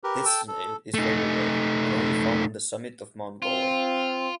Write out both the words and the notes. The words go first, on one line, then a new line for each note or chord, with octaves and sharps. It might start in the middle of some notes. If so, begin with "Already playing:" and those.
This snail is very rare and only found on the summit of Mount Gower.
G4 A#4 B4
A4 G5 A5 E6
A4
A3 D#4
C4 F4